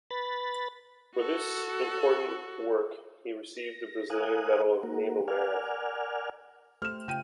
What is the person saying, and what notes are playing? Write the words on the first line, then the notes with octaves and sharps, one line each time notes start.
For this important work he received the Brazilian Medal of Naval Merit.
B4 B5 A6
F#4 A4
A#6
A#4 F5 G#5 D#6 F#6
A#3 F#4 A#4
A#4 D5 F#5 G#5 F6
A3 G4 C5 F6 E7
C#3 F4 G5 D#7